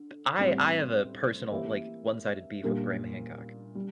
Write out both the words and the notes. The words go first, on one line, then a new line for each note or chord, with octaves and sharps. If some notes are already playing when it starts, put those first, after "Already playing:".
I I have a personal like one-sided beef with Graham Hancock.
Already playing: D3
A2 G3 C4
E3 A#3 E4 G4
A#2 G3 A#3 D4 G4
G3